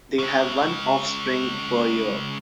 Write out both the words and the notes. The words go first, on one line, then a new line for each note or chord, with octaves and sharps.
They have one offspring per year.
C#3 G#3